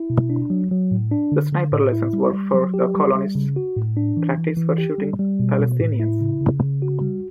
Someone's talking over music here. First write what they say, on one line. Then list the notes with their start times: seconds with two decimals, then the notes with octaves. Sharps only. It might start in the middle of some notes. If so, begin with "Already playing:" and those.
The sniper lessons were for the colonists, practice for shooting Palestinians.
Already playing: E4
0.10 B2
0.30 D4
0.50 F#3
0.71 F#3
0.91 A2
1.12 D4
1.32 D3
1.52 D3
1.73 A2
1.93 E4
2.13 G3
2.34 G3
2.54 F#3
2.74 G4
2.95 G3
3.14 G3
3.35 C#3
3.56 F#4
3.76 A2
3.97 D4
4.17 E3
4.37 E3
4.57 E3
4.78 G4
4.98 G3
5.19 G3
5.40 B2
5.60 B2
5.80 A2
6.00 E4
6.21 C#3
6.41 C#3
6.62 C#3
6.82 F#4
7.01 G3